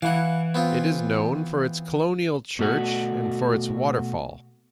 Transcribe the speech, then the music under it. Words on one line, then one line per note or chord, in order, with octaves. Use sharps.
It is known for its colonial church and for its waterfall.
E3 E4 F5 F#5
B3 C4 F4
B2 A3 F#4